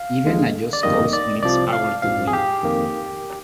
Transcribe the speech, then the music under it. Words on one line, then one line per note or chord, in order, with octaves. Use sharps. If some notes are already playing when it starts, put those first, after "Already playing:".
Even a just cause needs power to win.
Already playing: F5
D#2 D3 G#3
D5
G1 F2 D#3 G3 A#3 D#5
D5
C2 C3 F3 D5
F5
A#1 G#2 F3 F5
G#4
G4
F2 D#3 A#3